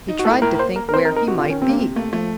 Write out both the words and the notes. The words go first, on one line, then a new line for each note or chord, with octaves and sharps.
He tried to think where he might be.
D#4
F#4
A2 A4
A2 A#4
A#4
A#3 C5
A#3 A#4
A#4
C4 C5
A#4
D#4
A#4
C3 F#4
F4
D#3 C#4
C3 C4
A#3
C4
C3
A3 A#3
F3 A3